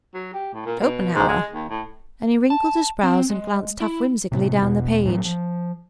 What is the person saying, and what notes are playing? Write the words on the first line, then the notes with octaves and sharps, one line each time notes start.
"Schopenhauer," and he wrinkled his brows and glanced half whimsically down the page.
F#3
G4
A2
A#2
B2
G#2
G#3
D#2
A2
A5
C4
G#3
E4
A2 C3
E1 B2
A2 E3 F#3
F3